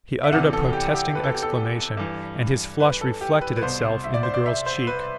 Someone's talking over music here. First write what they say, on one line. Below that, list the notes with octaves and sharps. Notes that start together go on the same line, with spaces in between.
He uttered a protesting exclamation, and his flush reflected itself in the girl's cheek.
E5
E2 C3 E3 F#5
A4
G4
G4
B4
A4
G4
A4
G2 E3
B4
A4
G4
B4
B4
C2 B2 C5
E5
D5
C5
D5
E5
C5
B4